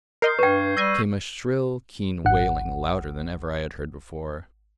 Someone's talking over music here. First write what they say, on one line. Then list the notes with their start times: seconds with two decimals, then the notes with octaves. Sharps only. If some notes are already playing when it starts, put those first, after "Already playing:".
Came a shrill, keen wailing--louder than ever I had heard before.
0.22 A#4 D#5 C6 F6 G6 C7
0.39 G2 B4 G5 C#6 G#6
0.77 G3 E6 G6 G#6 A#6 D#7
2.25 G#1 F#5